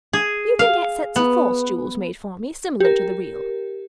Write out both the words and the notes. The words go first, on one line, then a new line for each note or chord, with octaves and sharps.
You can get sets of false jewels made for me, similar to the real.
G#4
F5
B3
G4 A#4